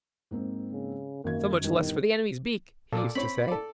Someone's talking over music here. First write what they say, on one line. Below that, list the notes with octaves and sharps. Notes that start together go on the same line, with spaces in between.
So much less for the enemy's beak, he used to say.
G#2 A#3 C4
C#3
G#1 F#2 A#3 G#6
E2 G2 B2 D#3
A#2 A4 D5
C4 C#5 B5
A4 D5